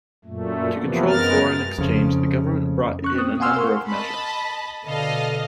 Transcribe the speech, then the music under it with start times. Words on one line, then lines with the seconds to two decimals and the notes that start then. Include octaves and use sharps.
To control foreign exchange, the government brought in a number of measures.
0.25 F#2 A#2 A3
0.77 C3 E3 F3 A#3 B3
1.08 F#2 G#3 B3 A#4 F6 A6
1.78 F2 C#3
3.02 C#4 C#6 F#6
3.15 C4 D#6
3.40 F5 F#5 G#5 C6 E6 F6
3.56 A#4 C6 C#6
3.87 D#5 A5 B5
4.85 B2 D3 A4 D#5 F5